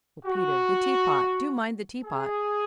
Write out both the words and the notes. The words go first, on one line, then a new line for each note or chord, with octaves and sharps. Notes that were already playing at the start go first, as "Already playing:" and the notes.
"Oh, Peter--the teapot--do mind the teapot!"
F#4
G#4